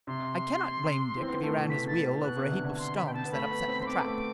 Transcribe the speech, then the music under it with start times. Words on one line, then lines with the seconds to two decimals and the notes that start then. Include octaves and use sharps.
I cannot blame Dick if he ran his wheel over a heap of stones that upset the trap.
0.07 C3 C6
1.16 E3
1.23 C4
1.29 B3
1.43 A3
1.56 B2
1.70 B2 B6
1.88 A6
2.24 B2 F#6
2.38 C3
2.51 D3
2.64 D3
2.78 C6
2.97 B5
3.06 G5
3.14 A5
3.25 B3
3.32 A3 B5
3.51 B3
3.68 C4
3.81 C4 C6
3.86 B3 D6
4.05 A3